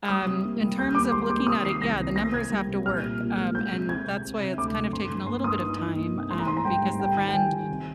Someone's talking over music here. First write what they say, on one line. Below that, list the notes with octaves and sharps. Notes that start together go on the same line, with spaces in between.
Um, in terms of looking at it, yeah, the numbers have to work, um, and that's why it's kind of taken a little bit of time, um, because the friend
G3 D#6
C3
A#3
G3
D#2 G6
D#2 D6
G#3 C6
D#2 D6
C3 D#6
D#3 C7
C2 A#6
C3
A#3 A#6
C3 G#6
G3
C3
A#2 F6
A#2
A#2
G#3
G#3 G6
C3
C3 G#6
C3
C3
C3
D2 D6
C3
G2 C6
G2
A#3 C6
G2 D#6
D#4
D#4
A#3
C3
G#2 C6
A#5
G#2 C6
A#5
G3 G5
G#2
G3 G5
D#3
G5
D#3 G#5
D#3
C3